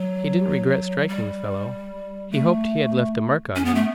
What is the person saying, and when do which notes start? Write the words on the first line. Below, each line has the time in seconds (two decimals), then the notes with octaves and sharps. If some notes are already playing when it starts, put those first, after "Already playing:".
He didn't regret striking the fellow--he hoped he had left a mark on him.
Already playing: F#3
1.09 G3
2.32 A3
3.56 C#4
3.65 B3
3.75 A3